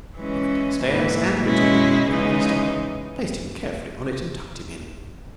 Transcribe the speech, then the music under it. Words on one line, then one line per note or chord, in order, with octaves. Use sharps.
He went downstairs, and, returning with William Bannister, placed him carefully on it and tucked him in.
E3 G#3 C#4
G#2 E3 A#3
B2 G#3 C#4 E4
C#3 E3 G#3 D#4